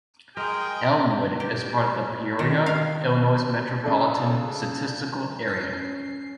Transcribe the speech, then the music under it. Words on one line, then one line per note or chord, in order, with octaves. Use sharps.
Elmwood is part of the Peoria, Illinois Metropolitan Statistical Area.
G#3 G#4 A#4 D#5 G5
G4
D#3
F5
C#3 D4 A4
C#4 C7